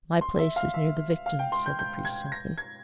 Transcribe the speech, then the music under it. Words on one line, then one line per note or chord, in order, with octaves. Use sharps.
"My place is near the victims," said the priest, simply.
C6
E5
F5
E5
F5
G5
C6
G6
G6
G#6
A#6
G#6